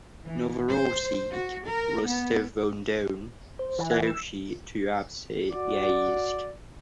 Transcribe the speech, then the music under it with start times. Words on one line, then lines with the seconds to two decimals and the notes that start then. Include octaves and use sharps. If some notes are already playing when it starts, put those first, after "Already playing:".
Novorossiysk, Rostov-on-Don, Sochi, Tuapse, Yeysk.
0.24 E3
0.70 C5
1.31 F#4
1.68 A#4
2.06 B3
3.59 C5
3.79 E3
3.91 F#5 G#5
4.07 E6
5.52 F#4 D5